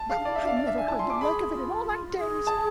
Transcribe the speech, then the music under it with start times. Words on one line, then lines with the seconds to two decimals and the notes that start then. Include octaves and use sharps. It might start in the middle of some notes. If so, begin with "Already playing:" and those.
Well, I never heard the like of it in all my days!
Already playing: A5
0.09 G#4 F5
0.19 D4
0.25 E4 D5
0.36 E5
0.41 D4
0.47 F5
0.57 D4 D5
0.67 E5
0.78 G#5
0.88 E4 A5
0.99 C6
1.04 F4
1.10 D6
1.20 G#4 B5
1.52 F4
2.16 G#4
2.47 A5